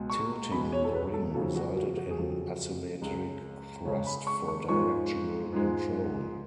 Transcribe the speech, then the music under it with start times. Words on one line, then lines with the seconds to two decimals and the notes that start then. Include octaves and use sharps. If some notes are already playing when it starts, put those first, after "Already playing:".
Tilting the ring resulted in asymmetric thrust for directional control.
Already playing: C#2 B2 G#3
0.10 C#6
0.51 C#2 B2 G#3 B5
0.72 C#5
0.84 A4
0.94 B4
1.14 A4
1.35 F2 C#3 F#3 A4
1.56 F#4
1.77 F#4
1.98 F#4
2.11 G#4
2.18 F2 C#3 F#3 A4
3.02 C#2 C#3 G#3
3.85 C#2 C#3 G#3 C#5
4.06 B5
4.27 C#6
4.48 C#6
4.69 G#2 F3 G#3 C#6
5.52 G#2 F3 G#3